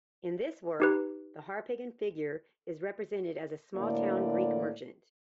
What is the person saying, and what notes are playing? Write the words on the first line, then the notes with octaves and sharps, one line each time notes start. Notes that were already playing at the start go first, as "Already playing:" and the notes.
In this work, the Harpagon figure is represented as a small town Greek merchant.
D#4 G4 B4
D2 A2 D3 A#3 D5